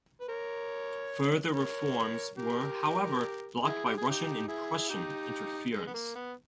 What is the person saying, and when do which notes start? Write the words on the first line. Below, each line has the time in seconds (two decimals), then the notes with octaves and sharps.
Further reforms were, however, blocked by Russian and Prussian interference.
0.21 B4
0.29 A#4 C#5
1.54 A#4 C#5
2.38 G4 A#4
3.64 E4 G#4
3.85 G4
3.98 G#4
4.09 D#4 G4
4.48 E4 G#4
4.89 D#4 G4
5.73 G#3
5.87 B3
5.94 A#3
6.15 B3